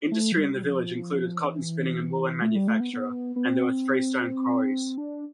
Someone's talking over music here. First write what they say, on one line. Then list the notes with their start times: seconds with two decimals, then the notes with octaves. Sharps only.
Industry in the village included cotton-spinning and woollen manufacture and there were freestone quarries.
0.11 A3
0.32 F3
0.37 G3
0.63 F3
1.40 E3
2.42 A3
2.55 G3
2.68 A3
2.80 B3
2.93 B3
3.36 B3
3.45 C4
4.98 D4